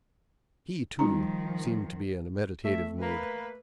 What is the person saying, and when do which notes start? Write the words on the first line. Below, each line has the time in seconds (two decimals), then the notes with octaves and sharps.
He, too, seemed to be in a meditative mood.
0.99 D#3 F3 G3 D#4 A#5
2.65 A3 E5
3.02 A#3 B4